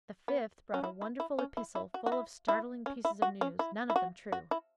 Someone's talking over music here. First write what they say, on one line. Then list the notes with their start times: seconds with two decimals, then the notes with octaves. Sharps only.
The fifth brought a wonderful epistle, full of startling pieces of news, none of them true.
0.28 B3
0.74 C#4
0.84 E4
1.01 E4
1.20 E4
1.39 C#4
1.57 E4
1.75 E4
1.94 F#4
2.06 F#4
2.12 E4
2.48 E4
2.86 C#4
3.05 E4
3.22 F#4
3.41 C#4
3.59 E4
3.90 E4
3.96 F#4
4.32 F#4
4.51 E4